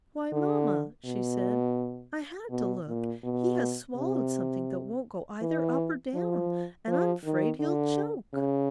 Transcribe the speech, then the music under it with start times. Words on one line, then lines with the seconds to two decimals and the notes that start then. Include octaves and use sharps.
"Why, mamma," she said, "I had to look; he has swallowed something that won't go either up or down, and I'm 'fraid he'll choke."
0.32 D3
1.05 B2
2.50 B2
2.87 A#2
3.24 B2
3.96 C3
5.42 E3
6.14 F3
6.87 F3
7.24 D#3
7.60 D3
8.33 C#3